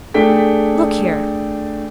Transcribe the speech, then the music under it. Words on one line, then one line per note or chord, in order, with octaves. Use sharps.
"Look here!"
A3 D4 G#4 A4 G5 B6